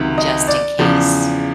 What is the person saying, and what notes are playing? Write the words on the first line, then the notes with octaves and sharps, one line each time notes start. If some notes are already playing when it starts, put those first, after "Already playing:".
just in case
Already playing: C#2 C3 D#3 F#3
D#5
D5
E2 C#3 F3